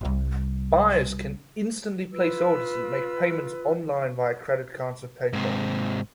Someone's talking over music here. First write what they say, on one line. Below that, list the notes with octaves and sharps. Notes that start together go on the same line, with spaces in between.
Buyers can instantly place orders and make payments online via credit cards or PayPal.
C2 G3
F4 B4 E6
G#2 C3